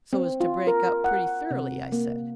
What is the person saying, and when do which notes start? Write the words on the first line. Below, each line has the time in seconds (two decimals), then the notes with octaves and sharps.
"So as to break up pretty thoroughly?" I said.
0.13 C4
0.40 F4
0.67 A#4
1.04 F#5
1.51 C3
1.92 A#3